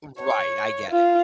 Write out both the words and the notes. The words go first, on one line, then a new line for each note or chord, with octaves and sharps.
Right, I get it.
C#5
F4